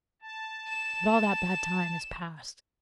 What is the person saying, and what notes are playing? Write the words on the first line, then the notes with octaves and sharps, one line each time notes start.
But all that bad time is past.
A5
E7